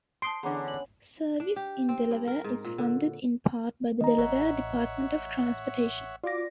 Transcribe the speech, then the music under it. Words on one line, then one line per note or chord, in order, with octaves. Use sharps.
Service in Delaware is funded in part by the Delaware Department of Transportation.
A5 C6 D#6 D7
E2 D3 B3 C#4 D4 G#4 A#5 D6
F#7
D4
G4
C4
G2
A#4
G#2
A#2
D3
D#3 D#5 A#5
A1 C#5 E5 F#5
F4 F#4 D5 D6 A#6